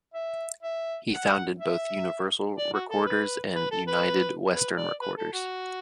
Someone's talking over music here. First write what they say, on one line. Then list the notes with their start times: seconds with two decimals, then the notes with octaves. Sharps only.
He founded both Universal Recorders and United Western Recorders.
0.14 E5
0.63 E5
1.11 F#5
1.60 E5
2.58 D5
2.74 F#4
2.90 A4
3.06 B4
3.55 B4
3.71 A4
3.87 B4
4.52 B4
4.77 D5
5.01 B4
5.17 A4
5.33 F#4